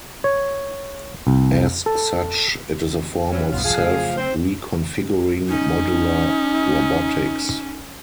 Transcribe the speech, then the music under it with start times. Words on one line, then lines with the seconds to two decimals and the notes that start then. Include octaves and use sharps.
As such, it is a form of self-reconfiguring modular robotics.
0.24 C#5
1.27 C2
1.86 A4
3.31 E3 F#3 C#4
3.53 B1 E2 G2 B3 F4
3.64 F3 G#4 F5
3.78 C#3 F#3 A3
4.17 C4 C5
5.48 C#4 D#4